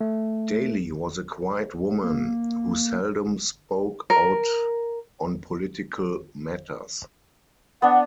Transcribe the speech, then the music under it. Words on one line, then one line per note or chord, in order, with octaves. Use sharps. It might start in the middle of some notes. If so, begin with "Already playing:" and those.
Daley was a quiet woman who seldom spoke out on political matters.
A3
A#3
A#4
B3 D4 F#5